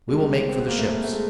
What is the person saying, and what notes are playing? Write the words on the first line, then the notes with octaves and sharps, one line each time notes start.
We will make for the ships.
C2 B2 G#3
G3
G#3
C4
B3
A#3
A3
A3
G#3